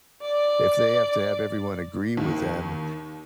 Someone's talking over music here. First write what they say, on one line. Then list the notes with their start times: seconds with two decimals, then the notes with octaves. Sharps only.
If they have to have everyone agree with them
0.22 D5
2.17 D#2 D#3